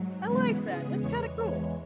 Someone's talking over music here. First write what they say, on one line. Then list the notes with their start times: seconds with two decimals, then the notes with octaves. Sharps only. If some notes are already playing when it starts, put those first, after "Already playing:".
I like that, that's kinda cool.
Already playing: G#2 F#3
0.26 C#3 E3 G#3 B3
0.61 C#3 G#3 B3 G#4
0.97 E2 E3 G#3 C#5
1.34 E2 E3 G#3 C#5